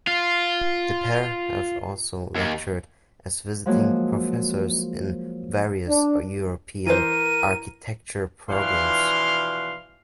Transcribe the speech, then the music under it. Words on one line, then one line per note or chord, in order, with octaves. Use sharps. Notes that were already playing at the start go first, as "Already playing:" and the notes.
The pair have also lectured as visiting professors in various European architecture programs.
F4
D#2
F3 F#3 G#3 A#3
D4
E3 A#4 C5 D#7
B2 E3 F3 D4 F5 C6